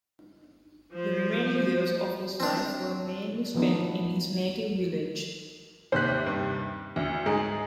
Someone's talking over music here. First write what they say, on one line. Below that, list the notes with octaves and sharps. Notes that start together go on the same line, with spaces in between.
The remaining years of his life were mainly spent in his native village.
F3 C5
C4 D4
D#3 F3 A3 B3 D4 D#4
D#2 C3 C5 F#6 B6
G2
D2
G#2 G#4